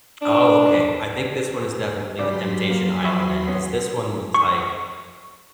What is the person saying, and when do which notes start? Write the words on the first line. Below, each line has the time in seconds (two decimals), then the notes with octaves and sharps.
Oh, okay. I think this one is definitely the Temptation Island then, 'cause this one was like
0.21 D4
2.19 C#3 F#3 G3 D5 C6 B6
2.71 A#3
3.05 E5 B5 C#6
3.48 B3 C#4
4.34 C#6